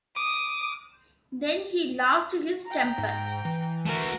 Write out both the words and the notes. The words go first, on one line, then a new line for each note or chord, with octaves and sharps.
Then he lost his temper.
D6 D#6
G5 A#5
G#2
E3
A3 F#4 A#4